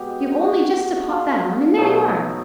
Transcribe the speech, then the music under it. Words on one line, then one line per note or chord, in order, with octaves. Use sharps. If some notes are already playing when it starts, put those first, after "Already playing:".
You've only just to pop that on, and there you are.
Already playing: B2 G#3 G4
F#4
F4
B2 F#3 A3 D#4